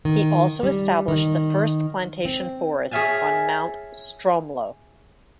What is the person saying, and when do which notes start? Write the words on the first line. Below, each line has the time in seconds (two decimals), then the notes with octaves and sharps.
He also established the first plantation forest on Mount Stromlo.
0.05 D#3
0.63 G3
1.08 D#3
2.25 C4
2.91 G#4 C#5 E5 F5 G#5 A5